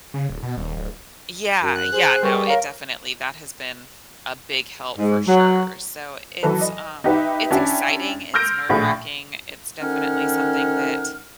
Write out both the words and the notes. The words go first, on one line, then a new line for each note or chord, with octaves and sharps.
Yeah, yeah, no, it definitely that has been a big help for sure, so it's um, it's exciting, it's nerve racking, it's definitely something that,
C#3
D1
B2
D#1
D1
F#2
F#6
G#4 C5
G3 A#4 B4 C#6
A#4 C#5 F5
G#2
F#3
E3 F#3 A4 B4
D#5
D#4 G4 B4 E5
C#4 D4 E4 G4
C6 E6 F6 G6 A#6 D7
A#1 A2 G#4
D2 D#3 C#4 F#5 F6